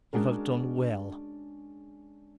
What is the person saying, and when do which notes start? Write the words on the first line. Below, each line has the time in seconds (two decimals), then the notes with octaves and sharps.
You have done well!
0.13 G#3 C#4 D4 F#4 G#4 A#4